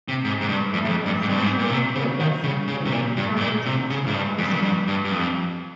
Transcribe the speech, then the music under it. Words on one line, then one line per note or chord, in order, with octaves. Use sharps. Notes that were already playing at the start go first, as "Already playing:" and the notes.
However, Sancho was killed that same year and the territories passed to Alfonso.
C3
G#2
G#2
G2
F2
G2
F2
G2
G#2
G2
G#2
A#2
C3
C#3
D#3
C#3
C#3
C3
A#2
G2
G#2
A#2
C3
C#3
G#2
G2
F2
G2
F2
G2
G2
G2
F2